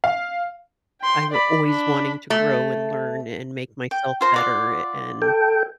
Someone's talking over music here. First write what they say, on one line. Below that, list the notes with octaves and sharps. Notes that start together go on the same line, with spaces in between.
I'm always wanting to grow and learn and make myself better, a and
F5
G5 C6
D5 B5
D4 B5
A3
G5
F4 C5 A#5
F4 D5 F#5
A4 G5